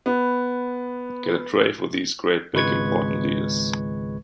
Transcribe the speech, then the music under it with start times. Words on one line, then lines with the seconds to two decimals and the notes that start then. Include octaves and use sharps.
Get a tray for these great big important leaders.
0.06 B3
2.53 G#1 C#2 G#3 B4 C#6 G#6